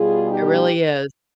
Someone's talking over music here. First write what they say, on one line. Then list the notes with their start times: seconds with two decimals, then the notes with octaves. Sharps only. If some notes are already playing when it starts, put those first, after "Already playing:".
It really is.
Already playing: B2 G3 F4 G#4
0.30 D#4 G4